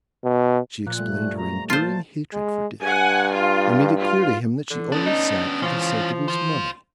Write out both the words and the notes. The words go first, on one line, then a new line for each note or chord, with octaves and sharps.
She explained her enduring hatred for Dick, and made it clear to him that she only sat for the sake of his money.
B2
A#2 F3 F#6
G3 A3
A#5
F4 C5 A5
G#3
G2 F#5 G#5
F4
F4
D3 E3
B3 C#4 D4
D#4
E3 F3 C#4 F4
F4 C5